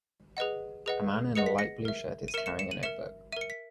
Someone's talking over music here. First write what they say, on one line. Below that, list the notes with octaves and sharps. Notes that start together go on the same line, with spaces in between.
A man in a light blue shirt is carrying a notebook.
G#4 B4 D#5 F#5
G#4 B4 D#5 F#5
G#4 B4 D#5 F#5 C#7
B6
A#6 C#7
A#4 E5
D#7
A#4 E5 C#7 E7
C#7 E7
C#7 E7
D#7 F#7
A#4 E5 C#7 E7
A#4 E5 C#7 D#7
B6